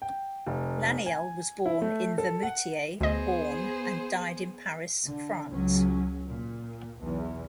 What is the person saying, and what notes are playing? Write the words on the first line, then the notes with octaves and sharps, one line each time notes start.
Laniel was born in Vimoutiers, Orne, and died in Paris, France.
G5
F1
G#5
E4
A3
A4
F#5
D2 B3 G#4 C5 D#5
D3
C#2 F#3 C#4
A#2
B1 E2